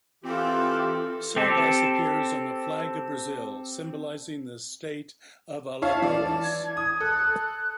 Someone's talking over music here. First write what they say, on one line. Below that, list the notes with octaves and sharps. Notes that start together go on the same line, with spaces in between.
Sargas appears on the flag of Brazil, symbolising the state of Alagoas.
E3 C4 F4 G4 A4
C4 G4 A4
E4 C#5 F5 A5
E3 D5
G#6
D#6
A4 F#6